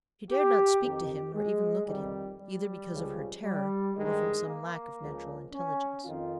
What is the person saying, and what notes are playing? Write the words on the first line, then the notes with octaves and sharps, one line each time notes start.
She dared not speak to him, nor even look at him; either because of her terror, or from some lack of natural intelligence.
G4
F2 D#3 G4
G#3
F2 D#3 G3
G3
C#2 C#3 F3
G3
G2 D#3 G#3
A#3
C#2 C#3 F3
C#4
F2 D#3 F4